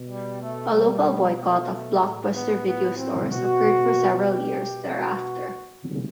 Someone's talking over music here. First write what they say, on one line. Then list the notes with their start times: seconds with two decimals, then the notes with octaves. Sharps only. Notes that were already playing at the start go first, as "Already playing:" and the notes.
A local boycott of Blockbuster Video stores occurred for several years thereafter.
Already playing: B2
0.10 G3
0.42 A3
0.73 B2 G3
1.38 A3
2.02 A2 E3
2.33 B3
2.65 B3
2.97 C4
3.29 B2 F#4
4.24 G4
4.56 B2
4.88 F#4